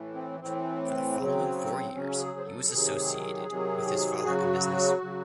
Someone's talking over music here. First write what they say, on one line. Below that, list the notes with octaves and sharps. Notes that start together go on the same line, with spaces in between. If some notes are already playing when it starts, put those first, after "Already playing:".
For the following four years he was associated with his father in business.
Already playing: A2 E3
C4
A2 E3 C4
C#3 F#3
C#3 F#3 C#4
G#4
C5
A4
C3 D#3 F#3 G#4
C3 D#3 F#3
C#3 F#3 F#4
C#3 F#3